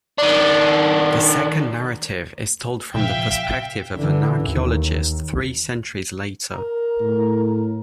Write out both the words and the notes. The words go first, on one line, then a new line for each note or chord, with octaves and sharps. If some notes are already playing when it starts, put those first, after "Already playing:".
The second narrative is told from the perspective of an archaeologist three centuries later.
D#3 D4
A#2 C#3 F3 E5 F5 G5
D3 E3
D#2
A#4
A2